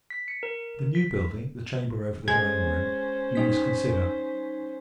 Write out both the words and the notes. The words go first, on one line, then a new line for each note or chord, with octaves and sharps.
The new-building the chamber over the dining-room, you must consider.
B6
C#7
A#4
B6
G#3 C#4 C5 G#6
G3 D#4 B6